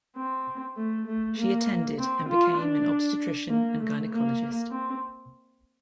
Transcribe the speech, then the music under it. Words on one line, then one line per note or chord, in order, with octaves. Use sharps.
She attended and became an obstetrician and gynecologist.
C4
A3
A3
A#3
C4
F4
D4
A#3
A3
A#3
C4